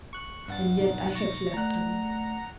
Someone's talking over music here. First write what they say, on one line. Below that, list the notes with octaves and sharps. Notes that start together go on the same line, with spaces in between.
And yet I have left him.
C#6 F#6
G2 F#5 A6
B2 D#4
C#6 A6 A#6
A3 D5 F#5 A#5 F#6